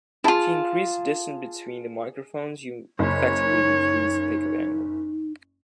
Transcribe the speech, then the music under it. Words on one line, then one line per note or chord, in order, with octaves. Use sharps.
If you increase the distance between the microphones, you effectively decrease the pickup angle.
E4 F4 G#4 A5
F#1 C#5
D#4